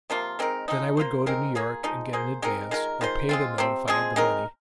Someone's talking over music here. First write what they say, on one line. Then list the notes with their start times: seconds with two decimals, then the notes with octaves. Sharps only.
Then I would go to New York and get an advance, or pay the note if I had the money.
0.10 C3 F3 A#3 F4
0.39 G#3 C4 D#4 A#4
0.68 F3 G#3 C4 D#4
0.97 A#3 F4 C5
1.26 G#3 C4 D#4 A#4
1.55 A#3 F4 G#4
1.84 F3 G#3 D#4
2.13 A#3 G#4 C5
2.42 G#3 C4 D#4 A#4
2.71 D#3 G#3 F4 A#4
3.01 D#3 G#3 F4 C5
3.29 G#3 C4 F4
3.58 C3 F3 C4
3.88 F3 G#3 C4 G#4
4.16 G#3 C4 D#4 A#4